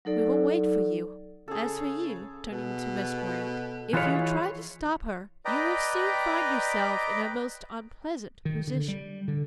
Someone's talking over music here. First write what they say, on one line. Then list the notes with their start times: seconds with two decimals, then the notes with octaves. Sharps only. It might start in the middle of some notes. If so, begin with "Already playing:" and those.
We will wait for you. As for you," turning to Miss Brant, "if you try to stop her, you will soon find yourself in a most unpleasant position.
0.05 F#3 D#4 A4 D5
1.48 C#3 G#4 A4
2.51 B2
3.93 E3 G#3 F4 B4 C#5
5.45 B4 D5 D#5 G5 A#5
8.45 D#3
8.67 D3
8.88 G3
9.28 D3